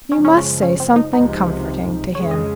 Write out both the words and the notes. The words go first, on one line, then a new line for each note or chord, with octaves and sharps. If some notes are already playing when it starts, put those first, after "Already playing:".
You must say something comforting to him.
F#2 C#3 F3 G#3 C#4
C#4
C#4
C#4
C4
D#4
C#2 C3 F3 D#4
F2 C#3 G#3 C#4 C#5
D#5